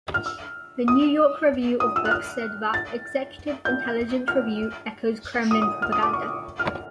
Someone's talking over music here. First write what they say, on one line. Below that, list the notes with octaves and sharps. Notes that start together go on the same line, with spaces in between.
The New York Review of Books said that "Executive Intelligence Review" "echoes Kremlin propaganda".
F6
E6
D#6
D#6
E6
F#6
F6
A6
G6
F6
D#6
D#6
F6
D#6
D6
C#6
F6